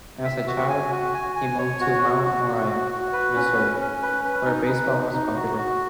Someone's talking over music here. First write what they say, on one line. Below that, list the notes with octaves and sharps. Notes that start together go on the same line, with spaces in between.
As a child, he moved to Mount Moriah, Missouri, where baseball was popular.
E5
F#4
G#5
F#4
G#5
G#5
C#5
F#4
F#4
F#4
F#4
F#4
F#4
B4
C#4
C#4
C#4
B4
B4
D#4
B4
D#4
D#4
F#4
F#4